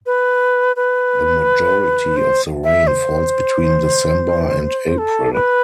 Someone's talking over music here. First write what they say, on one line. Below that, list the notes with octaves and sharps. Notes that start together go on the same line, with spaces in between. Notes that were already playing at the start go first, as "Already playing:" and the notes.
The majority of the rain falls between December and April.
B4
B4
C5
E5
C5
A4
B4